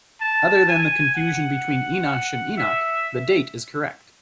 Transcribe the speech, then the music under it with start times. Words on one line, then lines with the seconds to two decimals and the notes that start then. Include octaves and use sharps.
Other than the confusion between Enosh and Enoch, the date is correct.
0.21 A5
0.68 G#5
1.15 F#5
2.57 E5